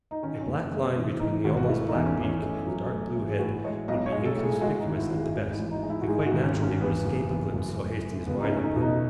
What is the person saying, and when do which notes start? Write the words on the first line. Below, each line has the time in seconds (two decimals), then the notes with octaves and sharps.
A black line between the almost black beak and the dark-blue head would be inconspicuous at the best, and quite naturally would escape a glimpse so hasty as mine had been.
0.11 D#4
0.23 D#3 C#4
0.41 C#4
0.47 F#1
0.72 G#3
0.78 B3
0.96 E3 C#4
1.20 E3 D#4
1.44 G#1 F#4
1.57 F#4
1.68 A3 E4
1.88 D#4
1.94 E2
2.06 C#4
2.18 E2
2.23 C#4
2.42 A3
2.66 F#3
2.90 A3
3.15 A1
3.29 G#4
3.39 A2 F#4
3.64 G#3 C#5
3.88 B1 D#5
4.06 C#5
4.12 G#3
4.25 A4
4.37 A2
4.44 G#4
4.61 G#3 F#4
4.79 D#4
4.86 G#1
4.98 E4
5.11 G#1
5.16 G#4
5.34 G#3 F#4
5.53 E4
5.58 A1
5.71 D#4
5.83 G#3
5.90 E4
6.02 F#4
6.07 G#2 G#4
6.26 F#4
6.31 G#1
6.44 C#4
6.56 G#1
6.62 C#4
6.81 E2 B3
7.05 F#1
7.29 E2
7.54 F#2
7.78 A3
8.03 A3
8.26 C#2 B3
8.40 D#4
8.45 C#4
8.51 A3
8.57 C#4
8.63 D#4
8.76 B2
8.82 D#4